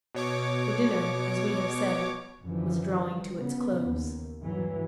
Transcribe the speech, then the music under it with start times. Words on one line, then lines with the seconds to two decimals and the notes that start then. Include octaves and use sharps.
The dinner, as we have said, was drawing to its close.
0.15 B2 C#5 D6
2.42 F#2 D3 E3 F3
2.95 G3
3.36 C#3 B3
3.82 D#2
4.42 G2 E3 F#3